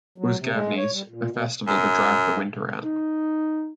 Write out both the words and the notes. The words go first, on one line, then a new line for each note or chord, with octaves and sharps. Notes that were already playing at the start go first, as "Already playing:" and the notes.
Uzgavenes - a festival to drive the winter out.
F#3
C3
G#3
C#5
G3
A#2
B2
F#2
D#4